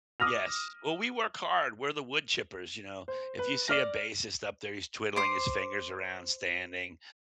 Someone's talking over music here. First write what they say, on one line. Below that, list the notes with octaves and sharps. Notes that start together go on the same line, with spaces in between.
Yes. Well, we work hard. We're the woodchippers, you know. If you see a bassist up there, he's twiddling his fingers around, standing,
D6 D#6 F6 A#6 F7
C5
B4
D5 F6 A#6
C5 D6